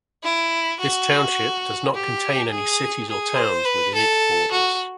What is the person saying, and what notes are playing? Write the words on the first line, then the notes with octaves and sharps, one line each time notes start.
This township does not contain any cities or towns within its borders.
E4
F#4
G4
G#4
G#4
C5
B4
A4
F#4